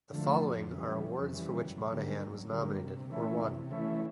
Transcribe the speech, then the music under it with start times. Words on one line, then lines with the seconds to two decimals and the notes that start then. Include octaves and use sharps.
The following are awards for which Monaghan was nominated, or won.
0.13 D3 F3 A3
0.42 F2
0.72 C#3 E3 G3
1.02 F2
1.32 C#3 E3 G3
1.62 F#2
1.92 D3 G3 A#3
2.22 F#2
2.51 D3 G3 A#3
2.81 C3
3.11 E3 A3 C#4 E4
3.41 C3
3.71 E3 A3 C#4 E4